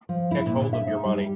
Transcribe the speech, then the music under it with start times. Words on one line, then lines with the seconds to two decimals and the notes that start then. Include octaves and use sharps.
Catch hold of your money.
0.09 F3
0.31 E4
0.46 A#2
0.57 D3
0.73 E5
0.87 D#4
1.05 G3
1.21 G4